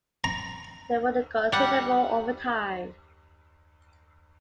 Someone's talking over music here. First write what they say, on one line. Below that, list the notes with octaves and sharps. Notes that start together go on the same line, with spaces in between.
They worked considerable overtime.
A#5
G3 F#5